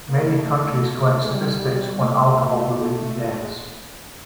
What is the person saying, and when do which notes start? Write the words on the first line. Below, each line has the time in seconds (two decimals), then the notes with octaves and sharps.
Many countries collect statistics on alcohol-related deaths.
0.09 A#3
0.27 A3
1.06 A#3
1.14 A3
1.23 G#3
1.32 G3
2.01 A3
3.41 G#3